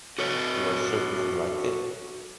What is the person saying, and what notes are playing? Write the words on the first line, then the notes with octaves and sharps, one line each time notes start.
You are certain we liked it.
F#4 A4 C#5